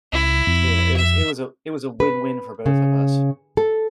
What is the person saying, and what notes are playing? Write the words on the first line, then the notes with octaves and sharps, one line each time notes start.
yeah, it was it was a it was a win-win for both of us
C#2 E4
F2
E5
B4
C#3
A4